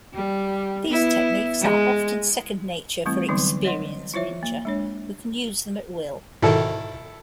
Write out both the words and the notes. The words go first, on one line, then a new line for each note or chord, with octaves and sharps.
These techniques are often second-nature for experienced ninja, who can use them at will.
G3
B3 E4
G#3
E3 G3 A3 C4 E4
D3 E3 F#3 G3 B3 D#4
C#5 D#5 F#5 C6
E4 F4 C5 C#5 E5
A#3
G#3 D4 C#5
G#2 B2 D#3 E4 A4